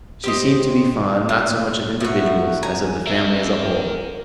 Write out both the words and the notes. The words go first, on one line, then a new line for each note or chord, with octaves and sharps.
She seemed to be fond not so much of individuals as of the family as a whole.
G4 C5 D#5
A#2
A2 F#4
G#5 A#5
A#4 E5